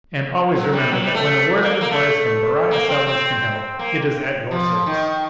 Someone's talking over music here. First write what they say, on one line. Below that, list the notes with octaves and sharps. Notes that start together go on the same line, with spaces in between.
And always remember that when a word of advice from Beriah Sellers can help, it is at your service.
F#3
G3
F#3
G3
A3
A#3
A#3
A3
A#3
C4
C4
A#3
F3
D#3